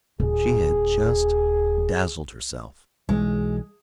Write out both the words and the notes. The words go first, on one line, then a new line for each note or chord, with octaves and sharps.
She had just dazzled herself.
D#1 G#4
B1 E3 G#3